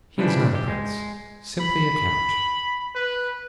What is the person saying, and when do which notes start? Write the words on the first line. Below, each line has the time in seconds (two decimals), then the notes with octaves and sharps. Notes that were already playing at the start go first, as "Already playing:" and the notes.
"He is not a prince; simply a count."
0.18 C#3 E3 F3 G3 C#4 D4
0.55 G4
0.68 G#3
1.61 B5
2.95 B4